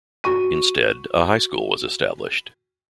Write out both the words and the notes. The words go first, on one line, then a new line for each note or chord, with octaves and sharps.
Instead, a high school was established.
F#4 C#6 D#7